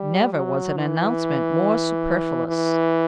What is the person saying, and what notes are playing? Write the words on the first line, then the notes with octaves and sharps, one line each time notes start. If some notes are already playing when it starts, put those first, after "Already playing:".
Never was an announcement more superfluous.
Already playing: G3
F#3
E3
E3